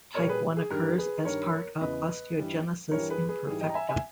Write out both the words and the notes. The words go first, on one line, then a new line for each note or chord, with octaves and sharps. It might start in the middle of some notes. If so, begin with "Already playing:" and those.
Type One occurs as part of osteogenesis imperfecta.
A#2 G3 A#4 C#5
G#4 B4
G#4
G2 D#3 G3 G4 A#4
G#4 B4
G2 D#3 G3 A#4 C#5
E2 C#3 E3 B4 D#5
G2 E3 G3
G2 E3 G3 A#4 C#5
G#4 B4
G#4 B4
G#2 E3 G3 G#4
D#5 G5
A#5
E5 G#5
E5 G#5